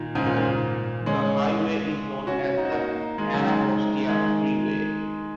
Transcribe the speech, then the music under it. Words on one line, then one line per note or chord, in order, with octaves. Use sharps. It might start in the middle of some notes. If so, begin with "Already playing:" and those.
The highway is known as the Anacostia Freeway.
Already playing: A#2 D#3
G#2 C#3
A#2
A#2
A#2
G#3 C#4
C#4 F#4
D#4
F#4
A#3 D#4
D#3 G#3
C#3 F#3
D#3 G#3
D#3 G#3